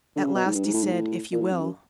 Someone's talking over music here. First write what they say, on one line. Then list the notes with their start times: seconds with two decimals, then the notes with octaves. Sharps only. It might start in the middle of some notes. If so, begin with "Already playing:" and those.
At last he said, "If you will."
0.16 D3
0.25 C#3
0.35 B2
0.45 G#2
0.54 G2
0.64 G#2
0.74 A2
0.84 G#2
0.93 A2
1.32 A#2
1.41 A2
1.51 F2
1.62 F#2